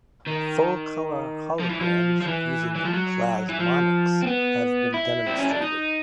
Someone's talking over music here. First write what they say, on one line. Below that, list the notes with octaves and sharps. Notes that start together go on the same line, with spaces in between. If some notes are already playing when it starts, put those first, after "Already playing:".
Full color holograms using "plasmonics" have been demonstrated.
D#3
F3
E3
F3
F3
E3
E3
F3
F#3
E3
F3
C4
B3
E4
C4
C#4
D4
D#4